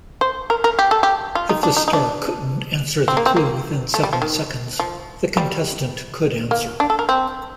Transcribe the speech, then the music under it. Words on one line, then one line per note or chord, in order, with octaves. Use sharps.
If the star couldn't answer the clue within seven seconds, the contestant could answer.
C5
A#4
A#4
G4
A4
G4
F4
D#4
D4
D#4
D#4
D4
C4
A#3
C4
A#3
A3
G3
F3
D#3
F3
G3
A#3
D4
A4
A#4
C4